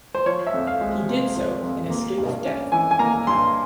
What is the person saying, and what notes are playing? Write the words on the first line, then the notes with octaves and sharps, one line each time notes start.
He did so, and escaped death.
C5
F3 C#5
E5
F2
F5
G#3
C3
F3
F2
A#3
G2
C#4
E3 G#5
G#5
A#3 A#5
G2 C6